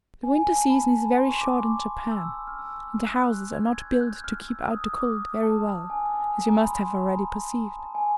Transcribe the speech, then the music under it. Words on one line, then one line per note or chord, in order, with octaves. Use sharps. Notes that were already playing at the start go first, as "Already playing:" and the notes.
The winter season is very short in Japan, and the houses are not built to keep out the cold very well, as you must have already perceived.
G#5
G#5
A5
B5
C6
C#6
D6
D6
D6
E6
F6
E6
F#6
G#6
G#6
G6
F#6
F6
E6
D#6
D6
A5
G#5
G#5
A#5
B5
C6
B5
B5
A#5
A5
A#5
A5
G#5